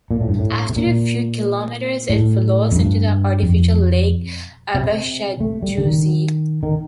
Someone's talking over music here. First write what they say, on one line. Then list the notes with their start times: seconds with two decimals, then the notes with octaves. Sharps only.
After a few kilometers it flows into the artificial lake Aabachstausee.
0.11 A#2
0.21 A2
0.29 G2
0.39 A2
0.69 C3
0.76 A#2
2.10 A2
2.72 F2
2.76 G2
3.42 F2
4.75 C3
5.40 A3
5.63 G3
5.78 D3
5.85 D#3
6.63 D#3